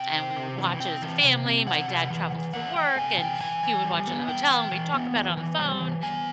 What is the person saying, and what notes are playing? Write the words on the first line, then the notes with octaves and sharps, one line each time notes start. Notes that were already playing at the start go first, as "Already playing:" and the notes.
and we would watch it as a family, my dad traveled for work, and he would watch in the hotel and we'd talk about it on the phone,
Already playing: C3 G5
C4
C3
E3
C4 G5
E3
C3
C4
E3 F#5
C3
E3
E3
A3 F#5
A3 G5
C3 G#5
E3 G5
E3 G#5
E3
G3
B3
E3 G5
E3
E3
B3
E3
E3
G3
E3
B3 G#5